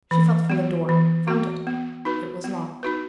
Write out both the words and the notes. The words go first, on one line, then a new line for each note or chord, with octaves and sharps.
She felt for the door, found it--it was locked.
E3
B3 F#4
E3
B3 F#4
B3
D#4 F#4 B4
B3
D#4 F#4 B4